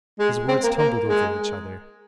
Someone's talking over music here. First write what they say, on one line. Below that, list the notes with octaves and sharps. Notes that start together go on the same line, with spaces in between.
His words tumbled over each other.
G#3
C4
A#3
A#3
G#3